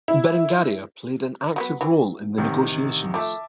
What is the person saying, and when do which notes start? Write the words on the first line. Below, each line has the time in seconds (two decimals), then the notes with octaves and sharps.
Berengaria played an active role in the negotiations.
0.08 E4
1.56 F#3 G#3 B3
1.81 E3 F#3
2.38 A1 C3 D#3
3.14 F3 A3 E5 A5 D6